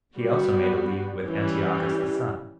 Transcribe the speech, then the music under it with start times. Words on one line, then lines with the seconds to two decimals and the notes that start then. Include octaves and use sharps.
He also made a league with Antiochus the son.
0.17 G3 B3 F#4
1.24 E3 G3 C#4 G4